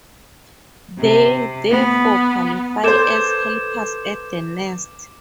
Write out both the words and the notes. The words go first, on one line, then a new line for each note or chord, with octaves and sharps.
They therefore qualify as helpers at the nest.
C3
B3
A4 B4 C5 D6 G6 G#6 E7